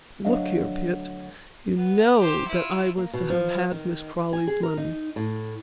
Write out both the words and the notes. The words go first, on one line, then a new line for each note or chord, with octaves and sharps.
Look here, Pitt--you know that I was to have had Miss Crawley's money.
D2 F#3 D4 D#5 F5
B3
G4 C5
E4 F4
A#3
B2
F3
D#3
G#5
G#4
A#4
D#4
A2